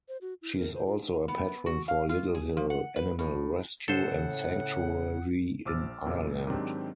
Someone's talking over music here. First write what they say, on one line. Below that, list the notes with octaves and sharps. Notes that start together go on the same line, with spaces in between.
She is also a patron for Littlehill Animal Rescue and Sanctuary in Ireland.
C5
F#4
E4
A#4
C5
F4
B3
F#4
F5
F4
G#4
F3
F#5
B4
A2
A2 C#3 A4 C5 F#5
A#1 C5 D6 E6 F6 A6
F#2 A#2 C#3
G#2 D#3 F#3 C4 D4 G4